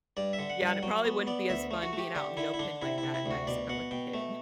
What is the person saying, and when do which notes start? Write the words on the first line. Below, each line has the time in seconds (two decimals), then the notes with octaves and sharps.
Yeah, and it probably wouldn't be as fun being out in the open like that in Mexico with a kid.
0.17 G2 D5
0.33 E5
0.39 D3
0.50 F#5
0.61 G2
0.67 F#5
0.83 F#3 G5
1.05 B3
1.27 B3 D5
1.49 D2 E5
1.71 A3
1.82 F#4
1.93 A3
1.99 G4
2.15 D3 G4
2.37 D3 E4
2.54 E4
2.59 D3 D4
2.82 C3 E4
2.98 E4
3.03 C3
3.14 E4
3.26 D2 F#4
3.47 B2 D5
3.69 B2 F#5
3.91 B2 G5
4.14 A3